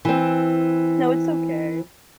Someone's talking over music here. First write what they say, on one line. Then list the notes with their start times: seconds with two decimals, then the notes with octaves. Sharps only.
No, it's okay.
0.05 E3 C4